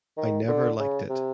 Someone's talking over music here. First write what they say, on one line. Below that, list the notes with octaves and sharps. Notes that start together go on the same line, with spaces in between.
I never liked it.
D#3
D3
C#3
C3